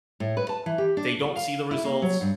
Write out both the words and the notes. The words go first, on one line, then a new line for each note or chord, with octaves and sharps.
They don't see the results,
A2
B4
A5
E3
G4
D4
F4
F5
E4
A#3
F#3
G2